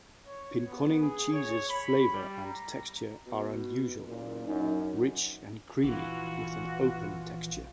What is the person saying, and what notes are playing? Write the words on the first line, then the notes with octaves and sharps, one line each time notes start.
Pinconning cheese's flavor and texture are unusual; rich and creamy with an open texture.
C#5
B3
G#4
C#5
B5
G3
A#5
B2
F#1 A#2
F#2 D#4
A#1 E3 F4 F#4